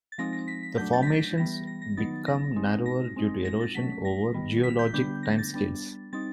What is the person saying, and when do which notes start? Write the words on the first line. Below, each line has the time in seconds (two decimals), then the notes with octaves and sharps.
The formations become narrower due to erosion over geologic time scales.
0.12 A6
0.18 F3 G#3 C4 D#4 A#6
0.33 A#6
0.48 B6
0.63 B6
0.78 F#3 A3 D4 G6
0.93 A6
1.02 B6
1.07 A#6
1.37 E3 G3 B3 A#6
1.67 A#6
1.82 A#6
1.97 D#3 F#3 B3 D#4 A6
2.27 A#6
2.56 G#3 C4 D#4
2.86 A#6
3.16 G#3 C4 D#4
3.45 A#6
3.60 A6
3.75 F#3 A3 C#4 B6
4.05 A#6
4.34 D#3 G3 B3
4.63 B6
4.79 G6
4.93 D3 G3 B3 D4 G6
5.23 A#6
5.38 A6
5.53 G3 B3 D4
6.13 G3 C4 D#4 A6